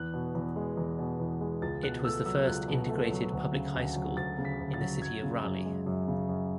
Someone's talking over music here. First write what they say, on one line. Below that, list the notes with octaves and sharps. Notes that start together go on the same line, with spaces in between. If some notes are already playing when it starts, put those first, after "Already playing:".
It was the first integrated public high school in the city of Raleigh.
Already playing: E2 F#6
B2
E2
G#3
E2
B2
E2
G#3
C#2 A6
B2 F#6
A3 E6
F#3 E6
C#2 F#6
B2
A3
F#3
D2
C#3
D2
F#3
D2 A6
C#3
B6
D2
A6
F#3
F#2 G#6
C#3
F#2
G#3
F#2
C#3
F#2